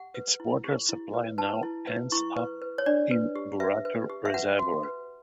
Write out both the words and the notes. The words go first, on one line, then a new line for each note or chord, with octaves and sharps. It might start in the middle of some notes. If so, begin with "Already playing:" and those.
Its water supply now ends up in Burrator Reservoir.
Already playing: G4 F#5
B4
E4
G4
E4
B4
B4 A5
E4
B4
E4 C#6
B4
B4
C#5
D4 D5
B4
G4
B4 E5
B4
G4
E5
B4 F#5
F#4
B4